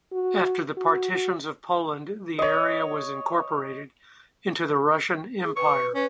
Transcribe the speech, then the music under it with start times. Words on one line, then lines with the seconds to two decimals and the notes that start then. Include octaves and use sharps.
After the Partitions of Poland the area was incorporated into the Russian Empire.
0.12 F#4
0.77 F#4
2.39 C#5 D#5
5.44 G#4
5.56 B4 C#6
5.95 C#4 B4